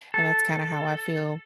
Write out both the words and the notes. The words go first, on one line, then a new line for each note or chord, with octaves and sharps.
and that's kinda how I feel,
A4